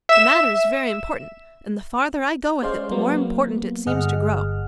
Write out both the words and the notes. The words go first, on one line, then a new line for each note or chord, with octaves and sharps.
The matter is very important, and the farther I go with it, the more important it seems to grow.
E5 E7
G#3 C#4 C5 D5 F5
F#3 A#3 B3
G1 G#4 D#5 F#5 F6